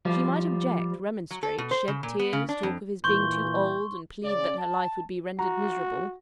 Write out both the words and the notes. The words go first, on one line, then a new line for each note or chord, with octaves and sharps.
She might object, remonstrate, shed tears, talk of his being too old, and plead that her life would be rendered miserable.
F3 G3 F4
F#3
A4
B2
C5
C#3
A#2
B3
C#3
D4
F2
A#2 E3 C6 C#6 G6 G7
C#3 D5
A5
F#4 A#5